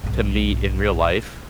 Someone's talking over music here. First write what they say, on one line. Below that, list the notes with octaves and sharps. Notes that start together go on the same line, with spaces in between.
to meet in real life.
B1 G#2